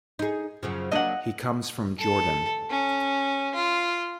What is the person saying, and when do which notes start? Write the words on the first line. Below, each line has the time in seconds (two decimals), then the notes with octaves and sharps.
He comes from Jordan.
0.19 D#4 G#4
0.63 F#2 C#3 F3
0.91 F#3 A#3 D4 D#5 F#5
1.99 A4
2.70 C#4
3.55 F4